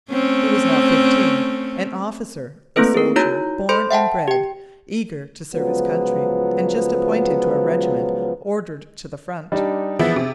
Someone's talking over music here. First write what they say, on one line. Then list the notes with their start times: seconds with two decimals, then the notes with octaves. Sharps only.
He was now fifteen, an officer, a soldier born and bred, eager to serve his country, and just appointed to a regiment ordered to the front!
0.12 A3 C4 C#4
2.76 A3 A#3 C4 E4 A4 B4
2.94 G#4 A#4
3.16 D#4 E4 F#4 C#5 A#5 G6
3.69 A4 C5 B5 C6 G6
3.91 E5 F#5 G5 A5
4.28 G4 G5
5.55 C#2 F3 F#3 B3
9.52 G3 D4 D#4
9.99 E3 F3 B3 G#4 E5
10.16 C3